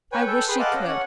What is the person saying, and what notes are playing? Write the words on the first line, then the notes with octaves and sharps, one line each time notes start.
I wish she could.
B4 C#5 G5 G#5
A4 G5
G#4 B4 G5 C6
D#5 F5 F#5 A5 D6
C#4
C#5 F#5